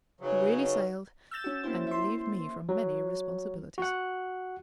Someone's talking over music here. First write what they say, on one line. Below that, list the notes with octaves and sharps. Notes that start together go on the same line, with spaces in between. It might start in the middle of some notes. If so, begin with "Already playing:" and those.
'Really sailed, and relieved me from many responsibilities.
C#3 F#3 D#4 B4 C#5
E6 G6 A6 E7
C#4 F#4
A#3 C4 C#4 E4 C5
E5 C6
F#3
F#4 F#5